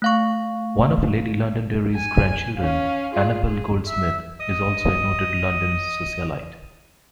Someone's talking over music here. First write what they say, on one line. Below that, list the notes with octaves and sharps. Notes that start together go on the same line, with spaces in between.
One of Lady Londonderry's grandchildren, Annabel Goldsmith, is also a noted London socialite.
A3 F5 C#6
G#5
C#4 F5
F4 G#4
G#4
E5
D#5 D#6